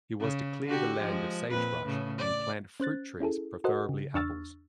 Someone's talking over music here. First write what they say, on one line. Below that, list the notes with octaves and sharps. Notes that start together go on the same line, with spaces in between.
He was to clear the land of sagebrush and plant fruit trees, preferably apples.
C#3
D3 F#4 G4
F3 G#3
F2 A#2 B4
A2 C#3
D5
C#4 C5 F#6 A6
C#4 E4 G#4 A4
F#4 A4 A#4 C5 D#5 F#5
C#3
E2 D4 C#6 E6 F6 A6